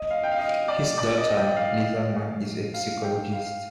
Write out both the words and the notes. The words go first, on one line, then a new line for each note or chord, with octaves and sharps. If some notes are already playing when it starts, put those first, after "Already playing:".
His daughter, Lisa Mann, is a psychologist.
Already playing: D#5
F5
G5
F5
D#5
D5
D5
D#5
G5
F5
F5
G5
F5